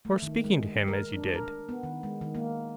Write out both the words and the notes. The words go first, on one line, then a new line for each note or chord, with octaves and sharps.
"For speaking to him as you did."
A3
D#3
G#3
A#4
D4
A#4
B3
D#3
G#3
D#3
A#3